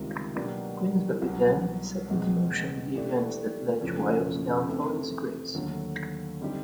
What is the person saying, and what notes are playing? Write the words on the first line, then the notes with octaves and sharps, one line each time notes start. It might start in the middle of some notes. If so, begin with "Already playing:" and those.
Queensberry then set into motion the events that led to Wilde's downfall and disgrace.
Already playing: C#2 C3 D#3 G3
B2 F#3 A#3 D4 G4
C2 B2 F#3
E2 B2 G#3 C4
E3 A3 D4 G4
F2 C#3 E3 A3 C#4
C3 E3 A3 C4
D#2 D3 F#3 A3
D3 G3 C4 D#4 G4